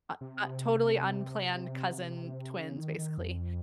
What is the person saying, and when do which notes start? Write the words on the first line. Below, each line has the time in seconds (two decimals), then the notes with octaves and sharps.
uh, a totally unplanned cousin twins, basically.
0.21 C3
2.59 C#3
2.78 D#3
2.98 D#3
3.18 F2